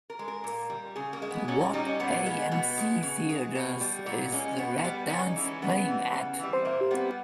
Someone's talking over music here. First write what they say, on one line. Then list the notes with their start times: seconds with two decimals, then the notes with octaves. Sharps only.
What AMC Theaters is The Red Dance playing at?
0.10 A#4
0.19 G#3
0.28 A#4
0.44 A#2
0.70 G3
0.96 C#3 G#4
1.13 A#3
1.22 G#3
1.31 B3
1.48 A#2 C#4
1.61 C#4
1.73 G3 D#4
1.87 C#4
2.00 A#2 B3
2.26 G#3 B3
2.51 B2 B3
2.77 G#3
3.03 C#3
3.29 G#3
3.55 B2
3.80 G3
4.06 A#2 B3
4.32 G#3 C#4
4.58 B2 B3
4.84 G3 B3
5.10 C#3 C#4
5.27 D#4
5.36 E3 G#3
5.44 C#4
5.62 C#3 B3
5.88 E3 G3
6.14 C#3
6.39 E3 G3
6.65 A#2 A#3
6.91 G3 B3